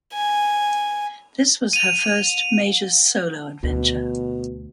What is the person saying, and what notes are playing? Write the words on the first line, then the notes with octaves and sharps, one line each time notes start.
This was her first major solo adventure.
G#5
D#7 F7
D2 B2